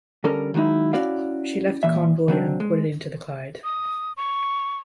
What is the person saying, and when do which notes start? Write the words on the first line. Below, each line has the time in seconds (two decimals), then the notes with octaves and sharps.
She left the convoy and put in to the Clyde.
0.24 D3 G3 C#4 A4 A#4
0.54 D#3 F#3 G#3 D#4 E4
0.93 C#4 E4 F#4 D5 F5
1.83 A#2 E3 E5
2.28 C#3 F#3 C4 D4
2.60 G#3
3.64 D#6
4.17 C#6